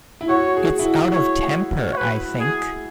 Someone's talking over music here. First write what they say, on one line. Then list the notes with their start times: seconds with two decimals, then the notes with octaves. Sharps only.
It’s out of temper, I think.
0.21 E4
0.29 F#4 C#5
0.57 G#4
0.79 E4
0.85 F#4
1.14 C#5
1.93 C#5
1.97 B4
2.40 G#4